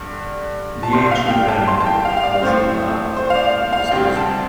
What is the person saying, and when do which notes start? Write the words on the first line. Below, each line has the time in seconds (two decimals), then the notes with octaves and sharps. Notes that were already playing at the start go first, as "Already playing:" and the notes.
The ancient vanity was loud in his bosom.
Already playing: G2 D3
0.83 A5
0.93 C2 C3 G3 C6
1.11 F5
1.31 G5
1.48 A5
1.68 C6
1.80 A5
1.86 G5
2.05 F5
2.17 F5
2.23 D5
2.42 A2 A3 C4 C5
3.16 C5
3.30 F5
3.35 D5
3.73 F5
3.91 D2 C3 G3 C4 G5
4.17 A5